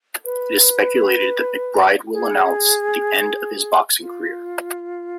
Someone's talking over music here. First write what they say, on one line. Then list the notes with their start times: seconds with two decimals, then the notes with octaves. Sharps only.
It is speculated that McBride will announce the end of his boxing career.
0.25 B4
2.13 G#4
4.00 F4